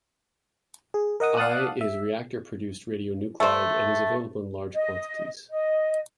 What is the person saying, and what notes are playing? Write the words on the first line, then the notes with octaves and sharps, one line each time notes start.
I is reactor-produced radionuclide and is available in large quantities.
G#4
A#4 D#5 F#5 D#6
D5 F5 F#5 A5 D#6 F#6
E5
A3 C5
D#5
D#5